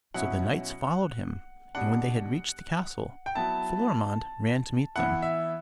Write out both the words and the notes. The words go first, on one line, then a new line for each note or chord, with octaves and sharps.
So the knights followed him; and when they had reached the castle, Florimond ran to meet them.
B2 F#3 C#4 E4 F#5
B2 G3 D4 F#5
G5
F#3 B3 E4 A5
E3 B3 E4 F#5
E5